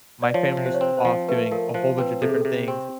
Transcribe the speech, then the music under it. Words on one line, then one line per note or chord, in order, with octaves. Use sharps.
my family is off doing a whole bunch of different things,
D5
F3 C#5
C3
C5
C#5
C4 C5
C5
F3
A3 B4
F3 A#4
F3 C5
C4 B4
C3 A4
G#4
A4
C3 G#4
C4 G4